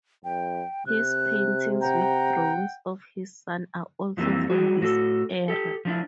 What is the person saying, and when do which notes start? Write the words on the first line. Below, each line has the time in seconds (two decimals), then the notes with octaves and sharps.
His paintings with drawings of his son are also from this era.
0.24 F2 G5
0.87 C3 F#6
1.81 F#5 G5 A#5
4.17 F2 E3 G3 A#3 C4
4.50 G3 G#3 F#4
4.81 A2 F#4 G4 A4
5.48 G4 A4
5.85 F3 D4 E4